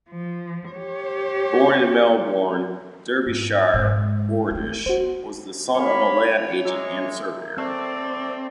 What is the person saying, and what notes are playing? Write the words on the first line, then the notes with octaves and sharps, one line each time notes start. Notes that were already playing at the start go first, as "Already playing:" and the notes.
Born in Melbourne, Derbyshire, Ordish was the son of a land agent and surveyor.
F3
G4 C#5
G#2
G#2 G#3
A3 C4
B3 F#4 C5
A#3 C#4 C#5 B5
G#3 E5 A#5 D6
A3 C4 D5